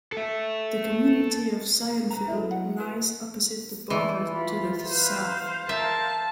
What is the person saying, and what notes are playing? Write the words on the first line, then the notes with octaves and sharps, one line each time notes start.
The community of Zionville lies opposite the border to the south.
A4 E5
B4 A#5
F#3 A3 E4
F#5
E4 B4
E3 D5
F4 B5
B4 C5 F5
A#4 E5 A5